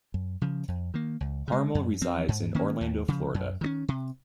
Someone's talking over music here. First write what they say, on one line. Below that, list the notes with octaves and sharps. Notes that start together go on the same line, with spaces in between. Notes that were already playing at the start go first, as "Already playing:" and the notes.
Harmel resides in Orlando, Florida.
F#2
C#3 F3
F2
D#3 A#3
C#2
C#3 G#3
F#2
F3 C4
G#2
D#3 A#3 C#4
D#2
C#3 F3
F#2
D#3 G#3 C#4
C3